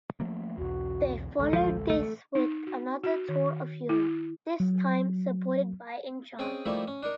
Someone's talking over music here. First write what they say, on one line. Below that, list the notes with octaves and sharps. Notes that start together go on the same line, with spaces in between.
They followed this with another tour of Europe, this time supported by Enchant.
F3 A3 A#3
B1 E2 F#4
A1 D2 G#3 A4
F3
A3
D#4
F#4
F#4
D#3
E4
F#3
C4 C#4 G#4 D#5 G5
F3 G3 A3 A#3 D#4 E4
C#4
D4 D#4 A#4